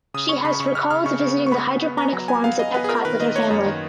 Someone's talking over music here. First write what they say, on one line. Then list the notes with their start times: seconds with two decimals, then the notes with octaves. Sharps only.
She has recalled visiting the hydroponic farms at Epcot with her family.
0.14 C#3 D#6
0.29 C#4 C#6
0.45 C#3 B5
0.60 C#3 C#6
0.75 C#3 F6
0.90 C#3 F6
1.06 C#3 C#6
1.21 C#3
1.37 B3
1.46 C#6
1.51 B3 B5
1.67 B3
1.83 B3
1.98 B3 A#5
2.13 F#3
2.28 B3 G#5
2.44 B3 F5
2.59 B3 D#5
2.74 B3 B4
2.84 G#4
2.89 F4 A#4
3.05 D#3 B4
3.20 D#3 D#5
3.35 A#3 C#5
3.51 F#2
3.66 D#3